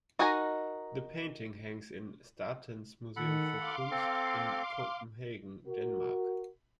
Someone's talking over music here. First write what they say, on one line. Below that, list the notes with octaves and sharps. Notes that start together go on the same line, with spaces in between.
The painting hangs in Statens Museum for Kunst in Copenhagen, Denmark.
D#4 F#4 A#4 G#5 A#5
D#3 A4 F#5 B5
F5 C6 D6
C4 A4
F#4 A#4